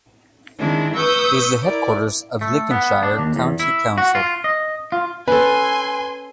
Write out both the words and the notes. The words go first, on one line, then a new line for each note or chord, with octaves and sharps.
It is the headquarters of Lincolnshire County Council.
D#3 G#3 C4 D4 E4
B4 C#6 D#6 E6 G6
E4 A#4 D5
A3
B3
D4
D#2
E2
E4
F#4
F4
D#5
F4
C#4 A4 B4 G#5 C6